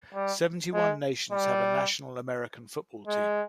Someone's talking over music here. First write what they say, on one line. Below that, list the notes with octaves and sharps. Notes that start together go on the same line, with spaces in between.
Seventy-one nations have a national American football team.
G3
G#3
G3
G#3